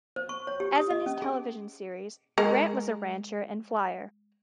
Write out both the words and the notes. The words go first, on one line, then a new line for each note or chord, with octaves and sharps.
As in his television series, Grant was a rancher and flier.
C5
C#6
C#5
G4
D#6
D#5
C#4
G#4
G#3 A#4